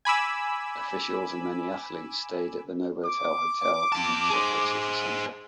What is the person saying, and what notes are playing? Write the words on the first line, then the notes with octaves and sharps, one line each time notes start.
Officials and many athletes stayed at the Novotel Hotel in the Sheffield City Centre.
G#5 B5 D6 E6
D6
F2 A5
G#4 C5